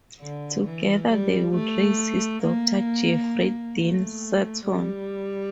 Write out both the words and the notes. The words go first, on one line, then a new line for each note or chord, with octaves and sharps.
Together they would raise his daughter Jeffrey Dean Sutton.
D3
E3
G3
A3
A#3
A3
G3